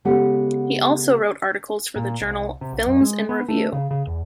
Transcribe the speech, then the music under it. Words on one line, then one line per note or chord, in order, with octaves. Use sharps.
He also wrote articles for the journal "Films in Review".
C#3 G#3 B3 G4 A4 F#5
A#2
C2
C3
B1
F#2
G#3
B3
A3
C#3
C#3
E2